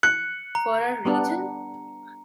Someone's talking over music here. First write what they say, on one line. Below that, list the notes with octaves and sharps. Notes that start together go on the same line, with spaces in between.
For our region?
F#6 C#7
A#5
G3 B3 D4